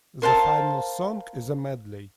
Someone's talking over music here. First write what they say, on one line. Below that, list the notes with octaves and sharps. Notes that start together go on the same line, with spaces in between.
The final song is a medley.
A#4 C5 F5 A5